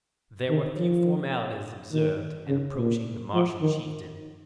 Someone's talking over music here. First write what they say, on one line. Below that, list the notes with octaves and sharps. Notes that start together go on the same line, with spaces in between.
There were few formalities observed in approaching the Martian chieftain.
D#3
F3
D#3
C#3
A#2
F3
D#3